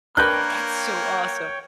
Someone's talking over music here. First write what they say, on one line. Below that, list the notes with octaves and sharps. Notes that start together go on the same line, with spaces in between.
Oh, that's so awesome.
A#3 D4 A#4 B4 C#5 G5 F#6 G6